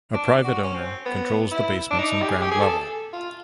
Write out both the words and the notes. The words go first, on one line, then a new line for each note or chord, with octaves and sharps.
A private owner controls the basements and ground level.
D4
F#4
C#4
C4
B3
E4
D4
D#4
G4
G#4
G4
G#4
A4
F4